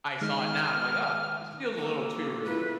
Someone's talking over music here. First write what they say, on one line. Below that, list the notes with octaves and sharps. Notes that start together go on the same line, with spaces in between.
I saw it now. I'm like, "Oh, this feels a little too real."
D#3 G#3 D#4 F6
A#3 A4
E4 F4 B4